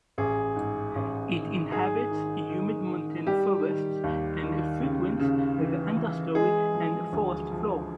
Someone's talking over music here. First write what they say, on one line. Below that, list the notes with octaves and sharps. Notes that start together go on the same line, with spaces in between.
It inhabits humid montane forests and frequents the understory and forest floor.
A1 G#4
G#2
A1
D#3
G#2 G#4
D#3
D#3
D#3
G3 G4
D#3
D#2
D#3
C#3
C#3
E3
E3
G#3 G#4
F3
D2
F3